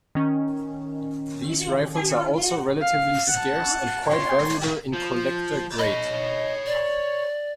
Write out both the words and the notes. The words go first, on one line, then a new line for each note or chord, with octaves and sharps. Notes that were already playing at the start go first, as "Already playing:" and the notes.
These rifles are also relatively scarce, and quite valuable in collector grade.
D#3 C#4
F5
F#5 A5
C#5 C6
F3
C#5 D#5 B5
D5